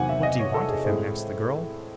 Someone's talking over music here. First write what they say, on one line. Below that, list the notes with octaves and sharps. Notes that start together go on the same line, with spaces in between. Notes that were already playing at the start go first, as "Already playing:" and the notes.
"What do you want of him?" asked the girl.
Already playing: E2 C3 D#3 F#3 C4 F#5 G#5
E5
D#5
C#5
A4
G#4
A2 G#3 C4